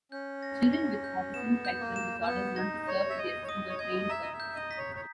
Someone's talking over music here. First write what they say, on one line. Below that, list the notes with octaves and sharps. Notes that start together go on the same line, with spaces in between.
Children with autism spectrum disorders learn to surf with the assistance of trained surfers.
C#4 G6
A#6
A#6
G6
B3 E7
G6
A#3
E7
A#3
B3 G6
D#4 A#6
C#5 G6
E5
D#5 G#6
C#5
D#5 D#6
C#5
D#5 G#6
E5 A#5
D#5
E5
G6
D#5
B6
C#5
C#5